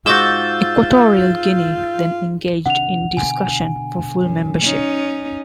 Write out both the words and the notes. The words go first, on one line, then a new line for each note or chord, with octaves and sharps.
Equatorial Guinea then engaged in discussion for full membership.
G#2 F4 F#4 E6 G6 A6
C3 D#3 D4 F#5 F7
B2 D3 G#5
F#2
C#4 D#4